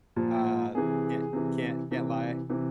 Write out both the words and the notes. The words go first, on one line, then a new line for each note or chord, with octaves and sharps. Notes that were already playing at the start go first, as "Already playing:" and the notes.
Uh, can't can't can't lie.
A#2 F3
C3 E3 G#4
C3 E3
C3 E3
C3 E3